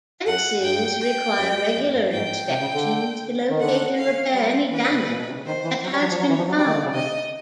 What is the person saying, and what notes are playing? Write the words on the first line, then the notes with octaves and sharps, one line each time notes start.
Fences require regular inspections to locate and repair any damage that has been found.
F#2 F#5
G2 G5
G5
F#2
F#2
G2
G#2 G5
C3
C#3
D3
D#3
D3 F#5
F5
G3 C5
E3 B4
C3
A#2
B2
C3
C#3
D#3 C5
E3
F#3 C#5
G3
F#3
F3
F#3
E3
F3
F#3
G3 D5
D#3
D3
C#3
C3 D#5